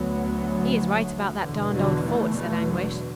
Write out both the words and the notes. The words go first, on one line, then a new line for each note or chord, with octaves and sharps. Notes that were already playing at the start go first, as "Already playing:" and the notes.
"He is right about that darned old fort," said Anguish.
Already playing: D2 F#3 B3
E2 B2 D3
D3 F#3
E3 A3
E3 A3
D3 F#3